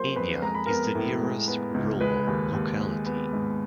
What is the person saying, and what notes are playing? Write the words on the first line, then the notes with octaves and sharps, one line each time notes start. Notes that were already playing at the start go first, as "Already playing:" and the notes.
Inya is the nearest rural locality.
Already playing: F#3 A#3 C5 C6
F2 B4 B5
G#3 A#5
B5
B3 A#4 A#5
A2
G#3
B3
C#2
G#3 B4 B5
D#2
D#2
G#3
B3
G#2